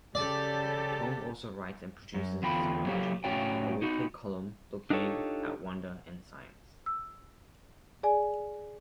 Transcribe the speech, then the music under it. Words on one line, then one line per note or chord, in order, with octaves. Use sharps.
Tong also writes and produces "Ziyology", a weekly column looking at wonder and science.
C#3 G4 A4 D5
F#2
E2 D3 F4 G5 B5
F#3 A#3 F#4 G4
A2 C#4 F#4 C#5 D5 G5
D#4 F#4
D4 D#4 F4 G4 A4 C#5
E6
G#4 D5 G#5